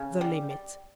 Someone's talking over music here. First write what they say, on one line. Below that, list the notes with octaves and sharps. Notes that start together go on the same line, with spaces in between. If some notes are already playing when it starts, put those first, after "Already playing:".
The limit.
Already playing: C#3
G3
G3